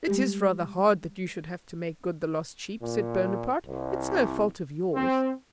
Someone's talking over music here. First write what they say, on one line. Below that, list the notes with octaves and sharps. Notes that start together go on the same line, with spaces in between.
"It is rather hard that you should have to make good the lost sheep," said Bonaparte; "it is no fault of yours."
G3 G#3 G4
A#2
C2
C4